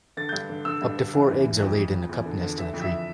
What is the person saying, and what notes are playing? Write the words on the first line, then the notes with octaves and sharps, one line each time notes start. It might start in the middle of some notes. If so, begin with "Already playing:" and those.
Up to four eggs are laid in a cup nest in a tree.
D3 A6
G6
G2
D3
D3 E6
G2
D3
E3
E2
E3
F2
F2
F2
E2
D3
D3
E3 E5
F2
E5